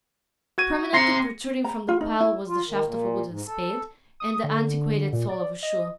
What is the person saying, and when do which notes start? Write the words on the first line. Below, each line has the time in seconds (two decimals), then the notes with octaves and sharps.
Prominently protruding from the pile was the shaft of a wooden spade and the antiquated sole of a shoe.
0.58 F#4 G#6 D#7
0.94 C4 A#5 C6 A#6 C#7
1.64 A#5
1.89 F4
2.01 D#4
2.20 E4
2.48 F4
2.68 D#3
2.84 A#2
3.28 G#2
3.47 A4
4.20 D#6
4.44 D3
5.13 A#2
5.29 D5
5.63 D#5